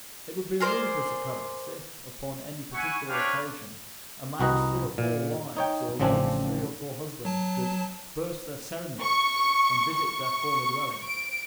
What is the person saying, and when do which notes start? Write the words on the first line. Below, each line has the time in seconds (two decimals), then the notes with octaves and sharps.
It would be a ludicrous occurrence, if, upon any particular occasion, a man's three or four wives, or a woman's three or four husbands, should "burst their cerements," and visit their former dwelling.
0.60 G#4 A#4 C5 D5
2.74 E4 F#5 G#5 C#6
3.09 C4 D4 B4 C#5 F5 D6
4.40 C2 F#4 B4 D#5 A#5
4.98 A#2
5.57 D#4 C#5 G5
6.00 A1 C#3 F3 C4 D4 G#5
7.25 F#3 A5
9.02 C#6
9.92 C#6
11.04 D7